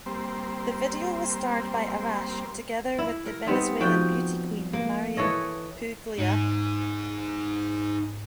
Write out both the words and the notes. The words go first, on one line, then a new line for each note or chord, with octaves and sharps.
The video was starred by Arash, together with the Venezuelan beauty queen, Marianne Puglia.
G3 A#3 C4 C5
E4
A#4
G3 B3 C4 D#4
F3 D#4 F#4 G5
A#3
E3 A4 C#5 D#5
G#2 D#4 G#4